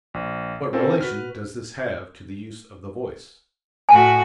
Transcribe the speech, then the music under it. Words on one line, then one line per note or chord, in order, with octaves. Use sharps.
What relation does this have to the use of the voice?
A#1
C4 C#4 F4 A4 A#4 C5
F#4 B4 F6
A2 F#4 G#5